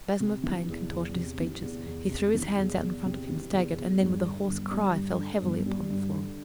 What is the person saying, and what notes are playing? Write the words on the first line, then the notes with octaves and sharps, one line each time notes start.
A spasm of pain contorted his features; he threw his hands out in front of him, staggered, and then, with a hoarse cry, fell heavily upon the floor.
C3
E3
E2
E2
C3
E3
E2
E2
C3
E3
E2
E2
C3
E3
E2
E2
G2
D3
G1
G3
G2
D3
G1
G3
G2
D3